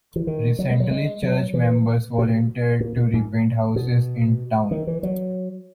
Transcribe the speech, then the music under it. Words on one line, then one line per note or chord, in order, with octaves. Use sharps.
Recently church members volunteered to repaint houses in town.
E3
D#3
F#3
G#3
F#3
G#3
F#3
E3
B2
A#2
A#2
G#2
B2
D#3
E3
F#3